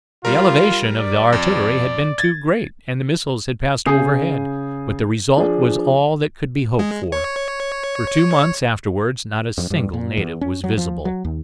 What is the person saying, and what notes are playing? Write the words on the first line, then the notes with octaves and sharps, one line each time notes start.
The elevation of the artillery had been too great, and the missiles had passed overhead; but the result was all that could be hoped for, for two months afterwards not a single native was visible.
G3 F4 A#4
D5
F2
G#6 A6
C#3 G#4 G#5 D#6 G6 C7
F3 D4 G#4
G#3
C#5
F2
G2
A#2
E2
C#4
F#3
F3
F#3
D#2